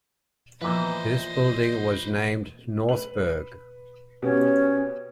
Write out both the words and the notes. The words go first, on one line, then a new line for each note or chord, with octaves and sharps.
This building was named "Northburg".
A#2 E3 F3 B3 B4 C5 D#5
B4 F#7
B2 B3 C#4 G4